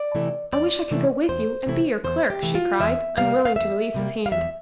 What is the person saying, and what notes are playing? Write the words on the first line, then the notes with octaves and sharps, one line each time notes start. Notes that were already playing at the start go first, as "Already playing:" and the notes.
"I wish I could go with you and be your clerk," she cried, unwilling to release his hand.
Already playing: D5
C3 E3 A3 E4
E2 D5
C3 E3 A3 E4
E2 C5
C3 E3 A3 E4
E2 C5
G4
C3 E3 A3 E4
F4
E2 E5
C3 G3 A#3 F5
F5
E2 E5
C3 G3 A#3
F5
E2 E5